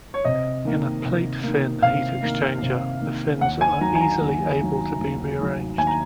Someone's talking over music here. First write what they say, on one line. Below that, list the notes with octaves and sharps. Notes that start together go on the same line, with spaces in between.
In a plate-fin heat exchanger, the fins are easily able to be rearranged.
C#5
C3 D#5
D#3 A#3
C3
D#3 A#3
C3 F5
D#3 A#3
C3
D#3 A#3
D#2 F#5
G#5
D#3 F#3 A#5
G#5
A#5
D#2
D#3 F#3
D#2
D#3 F#3
D#2 G#5
A#5